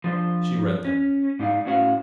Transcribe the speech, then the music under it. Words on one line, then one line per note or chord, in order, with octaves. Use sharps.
She read them.
F3 D4 C5
C#4
G#2 D#4 D5 F5
A2 C#4 F#4 C5 F5